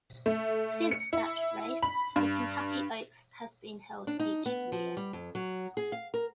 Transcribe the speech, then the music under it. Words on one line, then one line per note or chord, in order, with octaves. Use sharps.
Since that race the Kentucky Oaks has been held each year.
A3
C#7
E4
B5
G2
D4
D#4
B3
F3
G3
F2
F#3
G#4
F5
A#4